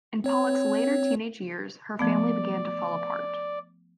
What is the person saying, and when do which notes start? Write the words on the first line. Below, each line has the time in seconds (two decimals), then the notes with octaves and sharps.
In Pollock's later teenage years her family began to fall apart.
0.24 C4 C#5
1.99 F3 A3 B3 D5